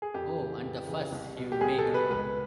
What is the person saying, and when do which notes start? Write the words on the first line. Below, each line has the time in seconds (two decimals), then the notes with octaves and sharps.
Oh, and the fuss he’ll make!
0.02 G#4
0.14 F2 G4
0.39 C#3 E3
0.63 F2
0.88 C#3 E3
1.12 C2
1.36 B2
1.52 G4
1.61 C2 G#4
1.78 A4
1.86 B2
1.94 B4
2.10 C#2 B4